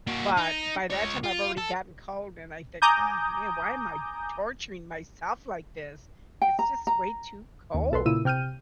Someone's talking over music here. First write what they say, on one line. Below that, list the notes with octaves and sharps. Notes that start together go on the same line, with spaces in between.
But by that time, I've already gotten cold and I think, "Oh, man. Why am I torturing myself like this? It's just way too cold."
A#3 F#4
D#4
C#2 C#5
F4
A4
G#5 A#5 D6 D#6 G6
G5
A#5
A#5
D#2
B1 A4 B4 C6
A#2 C#3 E4 E6 D#7
C3 G5 F6 G6 D#7